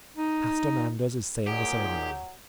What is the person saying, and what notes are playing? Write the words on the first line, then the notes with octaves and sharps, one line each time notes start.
Pastor Manders is saying the ceremony.
D#4
A#2 D#3 F#3 G4 G#4